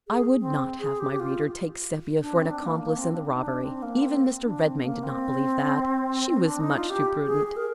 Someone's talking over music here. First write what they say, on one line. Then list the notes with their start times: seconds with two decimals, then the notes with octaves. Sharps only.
I would not have my reader take Sepia for an accomplice in the robbery. Even Mr. Redmain did not believe that: she was much too prudent!
0.08 G#4
0.39 C4
0.80 G#4
1.00 G4
1.12 G4
1.20 F4
2.21 D4
2.36 C4
2.46 D#4
2.51 D4
2.66 A#3
2.82 A#3
2.97 C4
3.12 D4
3.26 D#4
3.42 D4
3.63 C4
3.82 A#3
4.02 C4
4.43 D4
4.64 C4
4.84 A#3
5.03 C4
6.44 D4
6.60 D#4
6.76 F4
6.90 G4
7.26 G#4
7.47 G#4
7.56 A#4